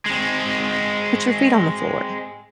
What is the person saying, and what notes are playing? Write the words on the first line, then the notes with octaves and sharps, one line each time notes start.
put your feet on the floor
G#3 C4